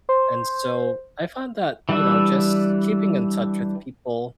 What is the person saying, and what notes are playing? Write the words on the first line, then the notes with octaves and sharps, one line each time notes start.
and so, I find that, you know, just keeping in touch with people,
C5
E3 G3 D4 B4 E5